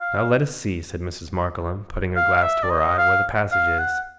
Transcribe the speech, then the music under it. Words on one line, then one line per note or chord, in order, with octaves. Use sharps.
'Now let us see,' said Mrs. Markleham, putting her glass to her eye, 'where the passage is.
F5
F5
E5
D5
D#5
F5
F5
F#5